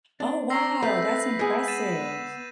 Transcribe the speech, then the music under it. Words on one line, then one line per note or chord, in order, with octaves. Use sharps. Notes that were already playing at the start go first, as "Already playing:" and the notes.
Oh, wow, that's impressive.
C4 D4
G5 A#5 E6 A#6 C7
A3 B4 G6 B6
G#3 B3 G#4
A6 D#7 E7